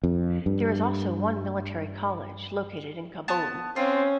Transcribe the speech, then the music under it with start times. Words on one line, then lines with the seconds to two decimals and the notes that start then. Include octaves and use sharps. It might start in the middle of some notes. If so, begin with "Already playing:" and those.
There is also one military college, located in Kabul.
0.04 F2
0.46 G2
3.28 B3 A5
3.76 C4 C#4 F4